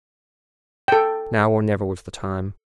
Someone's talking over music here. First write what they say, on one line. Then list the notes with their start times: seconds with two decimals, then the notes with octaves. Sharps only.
Now or never was the time.
0.88 A4 G5